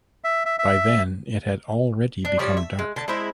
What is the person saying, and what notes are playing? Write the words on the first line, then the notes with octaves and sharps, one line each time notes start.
By then it had already become dark.
E5
E5
E5
D4
F3 G3 C#5 D5
E5
G#3
D3 A5
G#3 C4 E4 E5